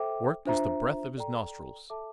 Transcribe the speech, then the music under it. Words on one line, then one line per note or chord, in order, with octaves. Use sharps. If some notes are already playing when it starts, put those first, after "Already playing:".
Work is the breath of his nostrils.
Already playing: A4 C5 E5 G5 D6
D4 F4 C5 E5 A#5
A4 D5 G5 A#5
A4 E5 A5 D6